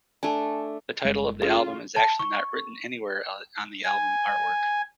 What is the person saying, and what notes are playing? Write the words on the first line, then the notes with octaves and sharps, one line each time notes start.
The title of the album is actually not written anywhere on the album artwork.
A3 D4 G#5 A5
G1 G#3
C#3 F4
A5
C#6
G#5